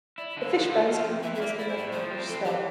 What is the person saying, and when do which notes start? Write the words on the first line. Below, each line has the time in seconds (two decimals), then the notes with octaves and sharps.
The fish bones can be used in making the fish stock.
0.18 E4 D5
0.30 E5
0.37 D3
0.42 F5
0.54 F3
0.71 A3
0.88 F4
1.05 F2
1.23 E3 E5
1.35 E5
1.40 A#3 D5
1.46 E5
1.58 E4 D5
1.68 C5
1.76 A2 D5
1.93 F3 C5
2.10 C4
2.27 E3 A4
2.45 E3 G4